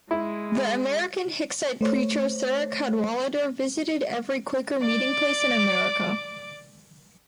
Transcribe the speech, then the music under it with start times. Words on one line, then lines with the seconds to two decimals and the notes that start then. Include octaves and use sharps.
The American Hicksite preacher Sarah Cadwallader visited every Quaker meeting place in America.
0.11 G#3 E4
1.81 A3 C5 C#5
4.82 D5 D6